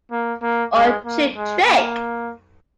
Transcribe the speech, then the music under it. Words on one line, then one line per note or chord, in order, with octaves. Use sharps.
Or Cheap Trick.
A#3
A#3
G#3
A#3
G#3
A#3